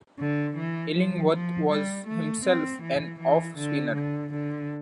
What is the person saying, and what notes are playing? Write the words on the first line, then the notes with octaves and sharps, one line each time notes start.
Illingworth was himself an off spinner.
D3
E3
F3
F3
G3
A3
C4
E3
E3
D3
D3
D3